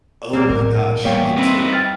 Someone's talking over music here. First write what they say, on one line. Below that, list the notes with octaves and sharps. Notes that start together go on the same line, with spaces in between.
Oh my gosh. It took
C2 A#2 G3 A#3 C4
A2 B3 A#4
E2 G3 A#3 C#5 F5 G5
C4 D#4 E4 B4
G5 F6 A6